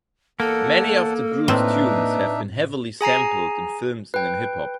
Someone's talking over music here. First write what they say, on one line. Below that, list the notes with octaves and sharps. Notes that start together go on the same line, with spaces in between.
Many of the group's tunes have been heavily sampled in films and in hip-hop.
E2 A#3 A4 F#5 A5
A2 C4 D4 D#4 B4 E5
G#4 G#5 A#5 C7
B4 G5